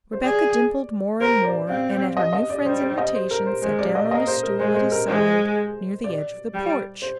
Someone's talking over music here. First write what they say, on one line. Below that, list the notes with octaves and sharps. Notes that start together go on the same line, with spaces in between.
Rebecca dimpled more and more, and at her new friend's invitation sat down on a stool at his side near the edge of the porch.
C5
G#4 D5
A#4 C5
D5
C4 F5
D#5
D#5
D5
G3 C5
C5
D#5
C5
A#4
C5
G#3 C5
D5
D#5
A#3 D#5
C5
A#4
G#3 C5
C5
A#4
G#3 C5
D5
G3
C5